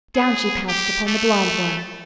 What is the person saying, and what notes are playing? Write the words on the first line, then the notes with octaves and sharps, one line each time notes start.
Down she pounced upon the Blindworm.
G#4
G4
A3